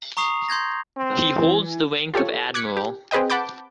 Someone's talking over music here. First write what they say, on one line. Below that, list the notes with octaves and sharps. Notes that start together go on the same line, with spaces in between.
He holds the rank of Admiral.
A#5 C#6 D#6 C7 F7
C6 G6 G#6 A#6
C4
E3
F4 G4 A4 C#5
D6 F#6 G#6 B6 C#7
G4
C4 G#4 B4 D#5 G5
F#5 A5 B5 D6 G6